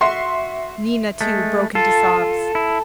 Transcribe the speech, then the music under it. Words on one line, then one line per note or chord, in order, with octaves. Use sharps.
Nina, too, broke into sobs.
F#4 E5 C6
G#3 A3
F4 A4
E4